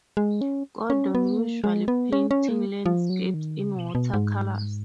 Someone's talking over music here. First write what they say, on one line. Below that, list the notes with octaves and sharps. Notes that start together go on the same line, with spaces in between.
Gordon usually painting landscapes in watercolours.
G#3
C#4
C#4
B3
A#3
G#3
B3
C#4
C#4
A#3
F3
F#3
D#3
C#3
B2
B2
G#2